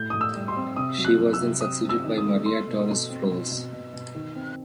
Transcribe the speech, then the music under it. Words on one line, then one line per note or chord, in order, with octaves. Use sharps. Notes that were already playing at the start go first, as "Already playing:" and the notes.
She was then succeeded by Maria Torres-Flores.
Already playing: A2 G6
A2 D#6
E6
G3
C6
C4
C3 D#6
F#3
F#6
F#3
E6
C3
C4 D#6
C4
E6
D#3
D#6
A3
A3 C6
B2
B2
C4
B2
B2
B2
B2
D#3
C4